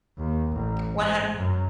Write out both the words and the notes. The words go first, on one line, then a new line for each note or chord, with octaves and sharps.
One hun
D#2
A1
G#2
F#2